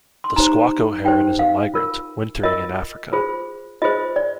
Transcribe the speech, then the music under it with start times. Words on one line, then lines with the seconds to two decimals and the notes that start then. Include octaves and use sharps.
The squacco heron is a migrant, wintering in Africa.
0.24 C6
0.36 D#4 G4 C5 A#5
1.05 D#4 G4 C5 G5
1.39 F5
1.74 F4 A#4
2.43 F4 A#4 D#5
3.13 F4 G#4 C5
3.82 F4 G#4 C5 D#5
4.16 D5